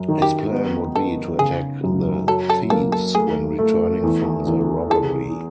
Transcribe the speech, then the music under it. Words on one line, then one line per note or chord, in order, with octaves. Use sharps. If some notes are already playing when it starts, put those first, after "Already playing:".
His plan would be to attack the thieves when returning from the robbery.
Already playing: F#2
D#3
G4
B3
B3 A4
C#3 G#4
F#2
F#3 A4
A4
A#3 A4
A4
A3 G#4
A3
E2
E2
G#4 A4